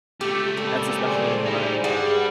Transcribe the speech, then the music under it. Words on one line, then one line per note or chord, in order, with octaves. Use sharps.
That's especially when I'm
C#2 A3 G4
F2 A#2 G3 A4
G#4 C5 D5
G3 D#4 E4
G2 G3 G#4 F#5